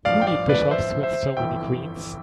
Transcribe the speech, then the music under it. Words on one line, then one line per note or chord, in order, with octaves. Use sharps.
Who need bishops with so many queens?
A1 G2 F3 D5 F5
G5
D5 F5
B4 D5
C5 E5
C5 E5
G1 F2 E3 E5 G5